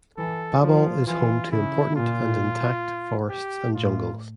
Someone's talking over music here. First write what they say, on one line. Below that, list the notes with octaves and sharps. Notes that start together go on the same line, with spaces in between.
Babol is home to important and intact forests and jungles.
E3 A4
F3 F4
E3 F4
C#3 E4
A#2 F4
G4
A2 F4